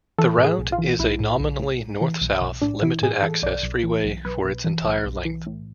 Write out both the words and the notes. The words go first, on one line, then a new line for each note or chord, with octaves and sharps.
The route is a nominally north-south limited-access freeway for its entire length.
E3 A4
A2
G#4
B1
F4
E3
B1 E4
A2
B1
A2
A2
E3
B1
B1
A2 D4
E3 E4
A2 G#4
E3 A4
B1 D5
B1
E3
B1
B1 B4
B1
E3
B1
B1
E3
A2